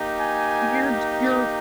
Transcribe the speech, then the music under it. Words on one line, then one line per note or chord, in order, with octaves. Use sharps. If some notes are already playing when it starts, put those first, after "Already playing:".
you're you're
Already playing: A#3 D#4 G4
G#5